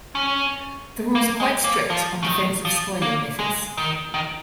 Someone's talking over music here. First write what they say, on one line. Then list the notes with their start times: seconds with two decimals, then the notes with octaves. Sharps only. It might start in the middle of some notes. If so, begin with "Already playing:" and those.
The rules are quite strict on defensive spoiling methods.
0.15 C#4
1.15 A#3
1.40 G#3
1.64 A#3
1.90 F3
2.23 C#3
2.28 D#3
2.65 F3
3.02 A#3
3.39 G#3
3.78 D#3
4.14 D#3